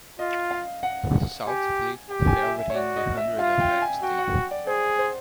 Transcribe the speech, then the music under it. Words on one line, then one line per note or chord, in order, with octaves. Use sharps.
Southfleet fell within the Hundred of Axstane.
F4 D#5
F5
F#5
G4 G#5
G4 G5
G#5
E5
E5
C#5
F#4 D5
D#5
E5
F4 F5
G5
G#5
F#4 G5
F#5
D5
G#4 C5
C5